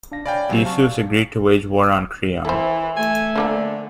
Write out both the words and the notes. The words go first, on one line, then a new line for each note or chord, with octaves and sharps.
Theseus agrees to wage war on Creon.
D4 F5 A#6
C#5 D5 F5 G5 G#5 B5
C3 F#3 C4
F5 A5 C#6
E3 E4 A4 C5
A3 G#5
D3 F3 A#3 A4